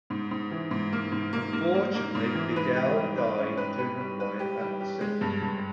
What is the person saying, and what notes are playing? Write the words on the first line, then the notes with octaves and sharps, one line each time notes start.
Unfortunately Fidel died during a fire at the set.
G#2
G#2
E3
G#2
A#3
G#2
A#3
A#3
A#3
A#3
G#2
E3
B4
G4
G3
B4
C#4
B4
B4
G3
B4
G4
G3
G4
G#3
G2
G2